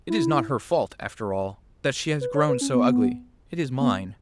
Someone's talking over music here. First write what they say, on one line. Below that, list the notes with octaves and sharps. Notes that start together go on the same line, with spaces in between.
'It is not her fault, after all, that she has grown so ugly, it is mine.
E4
B4
C#5
B4
C#4
B3
B3